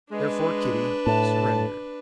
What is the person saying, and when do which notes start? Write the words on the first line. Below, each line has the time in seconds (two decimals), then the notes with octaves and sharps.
Therefore Kitty surrendered.
0.11 G#3 D4 B4
1.07 A2 A5